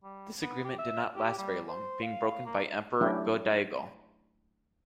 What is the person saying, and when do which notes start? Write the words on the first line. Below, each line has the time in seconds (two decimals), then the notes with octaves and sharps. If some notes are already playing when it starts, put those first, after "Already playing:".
This agreement did not last very long, being broken by Emperor Go-Daigo.
0.04 G3
0.42 B3
0.65 G4
0.79 E5
1.16 G4
1.38 G3
1.69 C5
2.03 F5
2.46 A#3
3.01 F#3 A3 C#4 D4 E4 G4